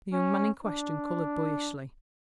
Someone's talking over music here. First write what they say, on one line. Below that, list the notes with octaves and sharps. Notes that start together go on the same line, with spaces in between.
The young man in question coloured boyishly.
C#4
D4